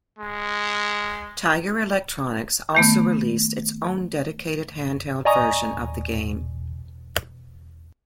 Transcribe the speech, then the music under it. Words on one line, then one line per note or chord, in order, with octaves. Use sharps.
Tiger Electronics also released its own dedicated handheld version of the game.
G#3
D#3 A3 B3
D5 D#5 G#5 A#5 C#6 D#6